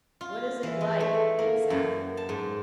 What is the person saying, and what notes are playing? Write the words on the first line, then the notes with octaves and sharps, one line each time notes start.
"What is it like--exactly?"
F4
E3
G#3
A3
A#3
F#2
A5
G#2